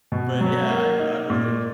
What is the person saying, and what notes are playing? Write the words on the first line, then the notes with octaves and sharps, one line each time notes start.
but, yeah, I I've really ap
B2
F#3
A#3
D#4
A#2